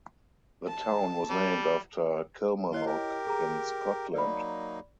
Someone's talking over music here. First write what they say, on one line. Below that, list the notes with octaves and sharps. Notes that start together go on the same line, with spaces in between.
The town was named after Kilmarnock, in Scotland.
A5
G3
E4 C#5 D#5 F5 C6
G4 A#4
G#4 A#5
F#3 A#3 D#4 D5 B5